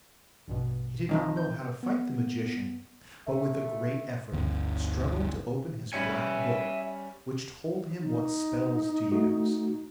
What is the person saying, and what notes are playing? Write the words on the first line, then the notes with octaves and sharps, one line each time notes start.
He did not know how to fight the magician, but with a great effort struggled to open his Black Book, which told him what spells to use.
A#1 G2 B2
F2 D#3 F3
G6
B3
A3
G1 D2
G3 C#4 E5 G#5 C#7
D#4
A3 F#4